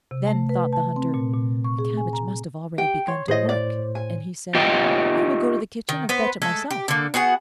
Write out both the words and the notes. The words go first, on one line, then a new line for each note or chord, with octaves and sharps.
Then thought the Hunter, 'The cabbage must have already begun to work.' And he said, 'I will go to the kitchen and fetch it myself.'
C3
A3
B4
A5
C4
A#2
A#2
C#6
G#4
G#5
A#5
G4 G5
C#5 C6
A2 G#4 C5 C#5 D#5
D5
G#5
F4 G4 B4 D#5 G5
D#3
B3 B4 C5
G#3 A3 A4
G4
D3 A#3
B3 F#4 G#4 F#5